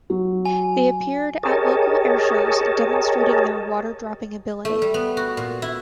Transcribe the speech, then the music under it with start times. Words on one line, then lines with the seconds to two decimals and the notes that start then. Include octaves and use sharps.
They appeared at local airshows, demonstrating their water-dropping ability.
0.10 F#3
0.45 G#5
1.43 G4 G#4 A#4 C#5 D#5 A5
4.65 A3
4.82 G3
4.94 B3
5.17 F#4
5.37 A#2
5.62 E4